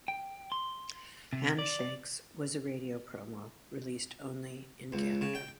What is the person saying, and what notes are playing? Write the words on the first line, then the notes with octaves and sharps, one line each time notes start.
"Handshakes" was a radio promo, released only in Canada.
G5
C6
C3
D5
C#2
C#3
G5